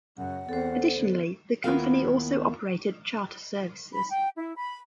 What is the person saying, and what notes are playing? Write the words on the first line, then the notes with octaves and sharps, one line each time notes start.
Additionally, the company also operated charter services.
F#2 C#3 F#5
E2 C4 A4 C5
D3 B3
D#2 B3 E4 F4 A#4 F5
B5
G5
E4
B5